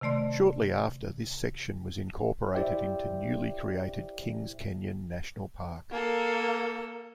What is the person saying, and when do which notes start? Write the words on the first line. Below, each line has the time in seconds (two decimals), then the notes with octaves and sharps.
Shortly after, this section was incorporated into newly created Kings Canyon National Park.
0.01 C3 D#3 A3 D5 C6
2.55 E4 G4 C5 D5 E5 G5
5.92 A#3 A4